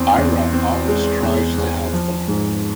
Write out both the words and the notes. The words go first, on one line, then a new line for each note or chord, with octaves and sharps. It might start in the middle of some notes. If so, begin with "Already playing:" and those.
Indra always tries to help them.
Already playing: E2 C4
E2
C4
G#3
E2
E2
F3
G#2